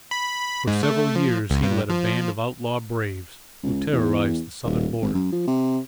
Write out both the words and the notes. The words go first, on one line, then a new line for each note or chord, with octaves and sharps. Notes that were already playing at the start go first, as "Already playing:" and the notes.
For several years he led a band of outlaw braves, who terrorized the Southern border.
B5
G#2
A3
F3
C#2
G2
F3
C#2
E2
D#1
G#1
F#2
F3
C3